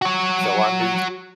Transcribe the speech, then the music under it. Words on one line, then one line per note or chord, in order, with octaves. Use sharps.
so I knew
F#4 C#5